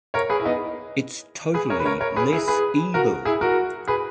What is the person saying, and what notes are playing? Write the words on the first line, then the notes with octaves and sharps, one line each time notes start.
It’s totally less evil.
A#4 C#5
G#4 B4
E4
B3 D#4
G#4 B4
A#4 C#5
B4
A#4 C#5
A#4 C#5
G#4 B4
E4 G#4
G#4 B4
F#4 A#4
E4 G#4
F#4 A#4
G#4 B4